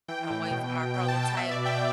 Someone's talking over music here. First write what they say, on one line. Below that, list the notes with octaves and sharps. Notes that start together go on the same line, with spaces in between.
I'm waiting for my prototype.
E3 G5
A2
B2
B2
B2 G5
A5
B2
G5
B2 E5
D5
B2
G5